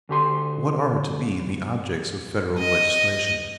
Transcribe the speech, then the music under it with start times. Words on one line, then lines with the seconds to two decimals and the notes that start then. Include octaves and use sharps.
What are to be the objects of federal legislation?
0.09 D2 G4 C6
2.58 D#5